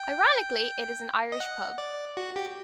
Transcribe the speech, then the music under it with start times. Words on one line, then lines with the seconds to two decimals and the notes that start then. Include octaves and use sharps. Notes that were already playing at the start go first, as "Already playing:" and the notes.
Ironically it is an Irish pub.
Already playing: G5
1.32 D#5
1.40 F#5
1.78 D5
2.17 F#4
2.36 G4